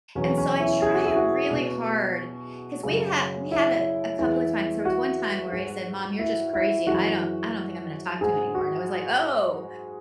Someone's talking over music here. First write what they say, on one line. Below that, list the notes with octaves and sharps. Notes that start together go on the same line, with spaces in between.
and so, I try really hard 'cause we've had we had a a couple of times there was one time where he said, "Mom, you're just crazy. I don't I don't think I'm gonna talk to you anymore," and I was like, "Oh,
E2 B2 F#3 C#4
C#4
E4
G#4
F#4
E4
F#4
B2 G#3
F#2 C#3 G#3
E4
E2 E3 G#3
F#4
G#2 G#3
E4
E4
F#2 E3 G#3 F#4
G#2 G#3 G#4
F#4